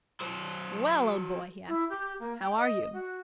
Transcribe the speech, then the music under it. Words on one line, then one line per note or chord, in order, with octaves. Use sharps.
"Well, old boy!" he asked, "how are you?"
F#3 C5
E4
G4
A#3
G5
D#5
F#4